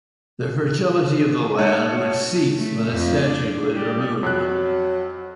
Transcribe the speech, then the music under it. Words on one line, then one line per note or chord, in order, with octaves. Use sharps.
The fertility of the land would cease when the statue was removed.
G#3 D#4 C#5 F#5 A5
A3
F2
D4
G3
F2 F#3 F#6